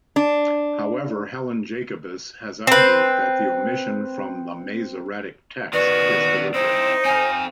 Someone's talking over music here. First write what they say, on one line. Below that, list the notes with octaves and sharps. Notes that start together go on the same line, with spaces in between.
However Helen Jacobus has argued that the omission from the Masoretic text is deliberate.
D4
C4 B4
D#3 B3 F#4 B4 D5
C4 D#4 E4 C5
C4 F5 G#5